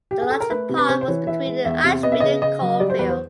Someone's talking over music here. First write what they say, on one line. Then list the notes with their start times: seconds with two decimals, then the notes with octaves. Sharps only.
The larger part was between Ashby and Coalville.
0.11 G4
0.21 G#4
0.30 A4
0.41 A#4
0.50 A3 B4
0.69 C3
0.78 B4
0.88 C3 C5
1.01 C5
1.07 E3 C#5
1.27 E3 E5
1.46 G#3
1.65 E2 E5
1.84 C3
2.03 B3 D#5
2.12 E5
2.20 C#3 D#5
2.42 C#3 D#5
2.61 F#3
2.80 G3 D5
2.90 C5
2.99 E2 B4
3.09 C5